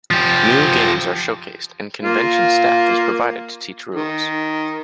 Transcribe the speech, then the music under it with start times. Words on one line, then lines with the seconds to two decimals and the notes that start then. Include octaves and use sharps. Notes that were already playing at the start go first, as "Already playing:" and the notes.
New games are showcased and convention staff is provided to teach rules.
0.11 F3 G4
2.03 A#3 F4
3.94 D#3